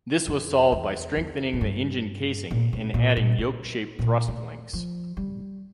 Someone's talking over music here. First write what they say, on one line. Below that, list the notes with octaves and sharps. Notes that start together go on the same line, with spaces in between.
This was solved by strengthening the engine casing and adding yoke-shaped thrust links.
F2
E2
E2
A2
G2
A#2
C#3
A#2
A#2
C#3
A#2
A3
F3
G3